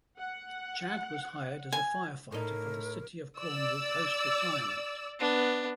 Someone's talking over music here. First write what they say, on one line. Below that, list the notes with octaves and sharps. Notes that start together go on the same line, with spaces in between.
Chad was hired as a firefighter for the City of Cornwall post retirement.
F#5
G#5
A2 D#4 A#4
D5 E6
B3 D4